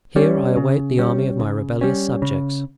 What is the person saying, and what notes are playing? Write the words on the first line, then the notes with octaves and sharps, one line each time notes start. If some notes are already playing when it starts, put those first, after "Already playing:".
Here I await the army of my rebellious subjects.
G3 C#4
C#3
G3 C#4
C#3
G3 C#4
C#3